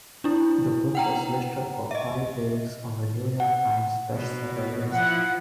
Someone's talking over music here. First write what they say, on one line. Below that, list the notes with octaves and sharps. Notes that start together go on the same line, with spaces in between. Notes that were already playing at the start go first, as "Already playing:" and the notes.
The book was listed for five weeks on the "New York Times Bestseller List".
D4 E4
F#5 G5 A#5
D#5 E5
F#5
B2
F3 E4 F#5